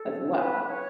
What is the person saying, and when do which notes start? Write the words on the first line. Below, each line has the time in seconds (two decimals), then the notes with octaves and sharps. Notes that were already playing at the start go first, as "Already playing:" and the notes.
as well.
Already playing: A4
0.36 B4
0.68 C#5